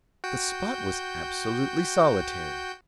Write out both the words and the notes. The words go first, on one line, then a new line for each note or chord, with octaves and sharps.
The spot was absolutely solitary.
F#4 G5 G6